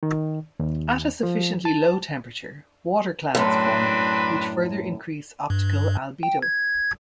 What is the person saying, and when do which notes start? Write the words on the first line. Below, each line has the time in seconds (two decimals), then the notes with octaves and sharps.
At a sufficiently low temperature, water clouds form, which further increase optical albedo.
0.03 D#3
0.60 D#2
1.23 F3
1.65 A5
3.35 F#2 A2 C4 D4 B4
5.50 G2
6.23 G5
6.42 G#6